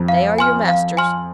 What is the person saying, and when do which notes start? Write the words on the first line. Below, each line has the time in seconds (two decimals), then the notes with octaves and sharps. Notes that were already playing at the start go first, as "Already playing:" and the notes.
They are your masters.
Already playing: F2
0.08 F5
0.38 G#5 C6 F6
0.68 F5
0.97 G#5 C6 F6